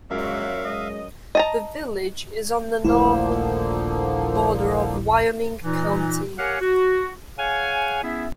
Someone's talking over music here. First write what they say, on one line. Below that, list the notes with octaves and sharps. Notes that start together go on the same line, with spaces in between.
The village is on the northern border of Wyoming County.
F#2 A#2 F#3 G#3 E5 F5
G#3 D#5
D#5 A5 A#5
D#1 A#1 D3 F3 A3 A#3 E4
A#2 E3 D#4
G4 A#4 C#5 F5 F#5 G#5
F#4
G#4 C#5 F5 F#5 G#5
B3 C#4 E4 G#4 E5